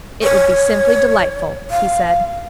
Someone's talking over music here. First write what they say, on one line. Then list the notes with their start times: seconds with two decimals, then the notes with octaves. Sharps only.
"It would be simply delightful," he said.
0.23 C#5
1.71 F5